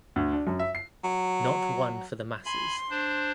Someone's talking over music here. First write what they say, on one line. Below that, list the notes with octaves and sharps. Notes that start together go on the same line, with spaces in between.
Not one for the masses.
D2
D4
F#2
E5
C7
F#3
G#5 B5 C6
D4 C5